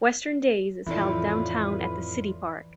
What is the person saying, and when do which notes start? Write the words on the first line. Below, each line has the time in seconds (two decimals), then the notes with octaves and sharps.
Western Days is held downtown at the city park.
0.86 F2 A2 E3 E4 F4 B4 D5